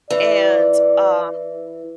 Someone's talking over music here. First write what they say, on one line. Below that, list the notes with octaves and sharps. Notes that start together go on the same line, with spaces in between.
and, um
E3 D5